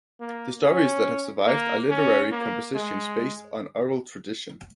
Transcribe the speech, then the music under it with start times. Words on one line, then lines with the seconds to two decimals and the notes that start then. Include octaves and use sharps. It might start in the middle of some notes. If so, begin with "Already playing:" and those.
The stories that have survived are literary compositions based on oral tradition.
0.20 A#3
0.61 C#4
1.47 A#3
1.89 C#4
2.31 A#3
2.74 G#3